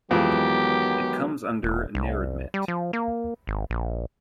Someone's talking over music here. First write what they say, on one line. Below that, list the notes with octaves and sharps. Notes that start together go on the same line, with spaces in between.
It comes under Neredmet.
F2 D#3 E3 F#3 G#3 B3 G4
E1
C2
G3
F3
A#3
G#1
A#1